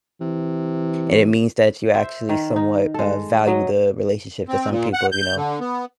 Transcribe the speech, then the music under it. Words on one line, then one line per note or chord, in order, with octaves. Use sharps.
And it means that you actually somewhat, uh, value the relationship, 'cause some people, you know,
C3 E3
C5 E5
D#3
D#4
G#3 A4
F#3 D#5
C4
A#2
F#5
G6
D3
B3